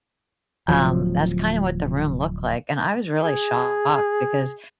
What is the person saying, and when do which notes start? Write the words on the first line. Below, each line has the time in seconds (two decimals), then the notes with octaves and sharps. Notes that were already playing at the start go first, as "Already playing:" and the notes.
um, that's kinda what the room looked like, and I was really shocked because
0.68 D1 C2 F3 F#3
3.23 G#4